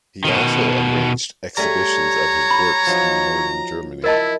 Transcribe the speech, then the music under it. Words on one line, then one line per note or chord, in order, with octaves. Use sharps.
He also arranged exhibitions of his works in northern Germany.
B2 D#3
G3 A3 C#5 G#5 A#5
B5
F3 F#3 D#4
E4 A#4 D#5 A5